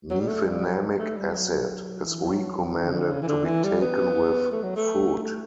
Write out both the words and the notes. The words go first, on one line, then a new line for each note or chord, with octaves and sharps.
Mefenamic acid is recommended to be taken with food.
F#3
G3
A3
G3
F#3
A3
G3
F#3
E3
F#3
E3
C#3
D3
C#3
E3
D3
E3
G3
B3
A3
F#3
A3
A3